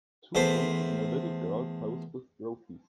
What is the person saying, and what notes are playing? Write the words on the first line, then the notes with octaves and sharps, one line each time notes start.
Two women and a little girl pose with trophies.
E2 A3 C5